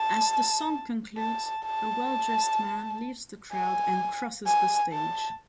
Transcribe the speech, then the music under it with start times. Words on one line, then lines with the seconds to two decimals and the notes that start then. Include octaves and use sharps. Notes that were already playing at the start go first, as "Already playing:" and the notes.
As the song concludes, a well-dressed man leaves the crowd and crosses the stage.
Already playing: A5
1.18 A5
1.65 A5
3.52 G#5
4.47 G#5
4.92 A5